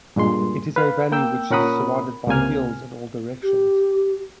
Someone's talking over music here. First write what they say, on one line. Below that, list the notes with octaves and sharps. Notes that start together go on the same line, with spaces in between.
It is a valley which is surrounded by hills in all directions.
G2 A#2 G#3 C6
B4 F5
A#3 G5 E6
A#2 C#4 A#4 F#5 B5 D#6
C#2 C3 A#3 G#5 F6
G4